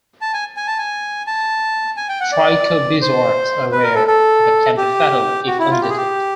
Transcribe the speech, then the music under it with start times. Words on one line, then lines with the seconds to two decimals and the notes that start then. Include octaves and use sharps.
Trichobezoars are rare, but can be fatal if undetected.
0.21 A5
0.34 G#5
0.57 G#5
0.67 A5
0.78 G#5
1.27 A5
1.97 G#5
2.09 G5
2.21 F#5
2.32 D5
3.02 C5
3.72 B4
3.84 A#4
3.96 A4
4.07 A4
4.77 G4
5.47 F#4
5.59 E4
5.71 F4
5.82 G4
5.90 G#4
5.97 G4